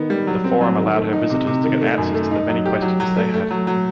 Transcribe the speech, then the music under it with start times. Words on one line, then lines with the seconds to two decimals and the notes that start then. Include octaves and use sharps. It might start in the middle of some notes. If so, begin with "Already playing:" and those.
The forum allowed her visitors to get answers to the many questions they had.
Already playing: D#3 B3
0.10 G3
0.27 F#3
0.44 C4
0.61 F#3
0.78 D#3
0.96 A3
1.13 D#4
1.30 C3
1.47 C3
1.64 D#3
1.81 A3
1.98 F#2
2.14 A3
2.31 D#4
2.49 F#3
2.66 G4
2.82 F#3
3.00 F#3
3.16 A3
3.34 A3
3.51 F#3
3.67 F#3